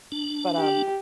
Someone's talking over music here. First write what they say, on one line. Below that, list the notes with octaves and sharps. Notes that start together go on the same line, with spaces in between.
But, um,
D4
G4